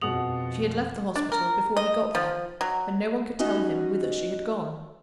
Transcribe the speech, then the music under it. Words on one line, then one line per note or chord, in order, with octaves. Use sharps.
She had left the hospital before he got there; and no one could tell him whither she had gone.
F2 B2 G#4 F#5 D#6 F7 F#7
D4
A#4
D#5
F3
F#3
C#4 D#4 F#4 D#5